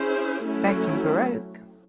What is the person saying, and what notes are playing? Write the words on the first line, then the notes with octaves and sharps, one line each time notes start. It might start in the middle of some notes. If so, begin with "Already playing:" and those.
Back in Baroque...
Already playing: C#4 E4 G#4 C5
F#3 A3 C#4 E4 A4